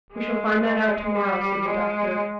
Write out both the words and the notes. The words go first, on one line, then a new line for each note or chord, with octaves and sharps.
"We shall find that out to-morrow," said the doctor.
G#3
G3
G#3